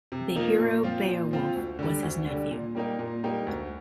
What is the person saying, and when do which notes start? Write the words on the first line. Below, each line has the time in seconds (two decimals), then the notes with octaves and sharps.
The hero Beowulf was his nephew.
0.12 C3
0.35 F3 A#3 D#4
0.59 A#2
0.83 F3 C4 F4
1.07 A#2
1.31 F3 C4 F4
1.56 D2
1.79 D3 G3
2.03 D2
2.27 D3 G3
2.51 A#2
2.75 G3 A#3 D#4 G4
2.99 A#2
3.23 G3 A#3 D#4 G4
3.47 D2